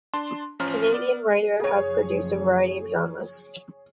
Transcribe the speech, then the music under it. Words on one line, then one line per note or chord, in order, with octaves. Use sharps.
Canadian writers have produced a variety of genres.
D4 A5 C6
A1 F3 C#4 A#5 C6 F6
B3 D5
F#1 F#2 F3 G#4 C#5